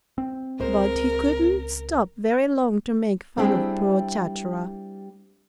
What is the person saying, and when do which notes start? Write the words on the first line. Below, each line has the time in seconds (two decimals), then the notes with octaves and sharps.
But he couldn't stop very long to make fun of poor Chatterer.
0.18 C4
0.60 C#2 G#3 A#4 C5
3.37 G3 C4 D4 E4 G4 G#4